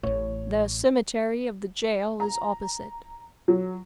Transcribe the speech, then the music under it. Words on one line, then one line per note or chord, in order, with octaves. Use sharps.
"The cemetery of the jail is opposite."
A1 A2 C#5
A#5
F#3